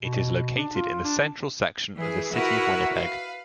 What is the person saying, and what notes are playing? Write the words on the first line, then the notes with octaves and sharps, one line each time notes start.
It is located in the central section of the City of Winnipeg.
B2
D4
F4
D4
E3 G#4
E4 F#4 A#4 B4 F#5
B4 F5